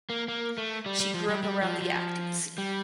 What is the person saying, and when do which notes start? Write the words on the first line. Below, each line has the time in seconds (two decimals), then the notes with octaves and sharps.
She grew up around the acting scene.
0.10 A#3
0.28 A#3
0.58 A3
0.86 G3
1.00 G3
1.14 F3
1.29 G3
1.43 G3
1.62 F3
1.82 F3
2.58 G3